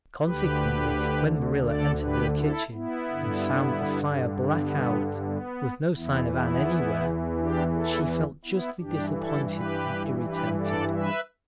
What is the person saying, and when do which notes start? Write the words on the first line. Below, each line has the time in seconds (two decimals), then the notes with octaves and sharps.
Consequently, when Marilla entered her kitchen and found the fire black out, with no sign of Anne anywhere, she felt justly disappointed and irritated.
0.23 D2 D3 G4 B4
1.66 A4 D5
2.02 G4 B4
2.38 E4 A4
2.73 B3 E4
3.09 G2 D3
4.53 B3
5.24 B3
5.95 E2 E3 B3 E4
6.31 B3 E4
7.38 D4 G4
7.73 E4 A4
8.45 B3 E4
8.81 G2 E3 D4 G4
9.16 E4 A4
9.52 G4 B4
10.23 G4 B4
10.59 A4 D5
10.95 B4 E5